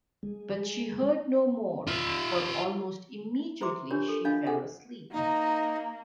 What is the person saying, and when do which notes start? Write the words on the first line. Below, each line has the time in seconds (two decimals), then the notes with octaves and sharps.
But she heard no more, for almost immediately she fell asleep.
0.23 G#3
1.87 F4 E5
3.61 E4 B4 C5 E5 C6 D6
3.91 D4 F4 G4 A#4 C#5
4.08 A4
4.25 D4 F4 D#5 F5 A5
4.47 G#4 A4 F#5 G#5
5.13 A#3 D#4